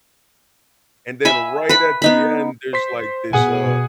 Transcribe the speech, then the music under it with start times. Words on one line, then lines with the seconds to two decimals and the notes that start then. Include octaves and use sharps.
and then right at the end, there's, like, this, uh
1.25 E5 G#5 B5
1.69 B4 B5
2.02 B3 D#4 B5
2.73 C5 C6 B6
3.33 B2 G#4 F#5 G#5